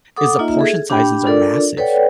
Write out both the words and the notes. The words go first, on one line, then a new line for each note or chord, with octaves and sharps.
is the portion sizes are massive,
A4 F#5 D6 D#6
A#3 D#4 F4 D#5 E5
G#4 A4 E5
D4 G4 G5 B5
D4 F4 A4 A#4 D5
A4 B4 C#5 D5 F#5 G5